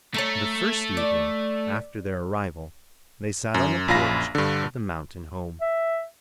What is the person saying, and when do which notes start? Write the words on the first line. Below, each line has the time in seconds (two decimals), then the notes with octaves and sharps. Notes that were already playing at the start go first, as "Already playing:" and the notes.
The first evening after their arrival they sat on the porch of the mountain home.
0.14 A3 A4 C#5 A#5
0.97 D5
3.54 F#2
3.88 A#1 F#2 F4 F5 B5 A#6
4.35 G2 D3
5.61 E5